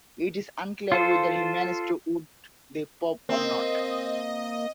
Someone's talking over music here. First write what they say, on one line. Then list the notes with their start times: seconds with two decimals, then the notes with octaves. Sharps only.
It is unclear whether he managed to wound the Pope or not.
0.92 F4 A4 C5
3.29 A#3 C4 D#5